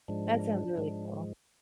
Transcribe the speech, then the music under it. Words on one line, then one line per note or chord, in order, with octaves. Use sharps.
that sounds really cool.
G#2 F3 G#3 D4
G#2 F3 G#3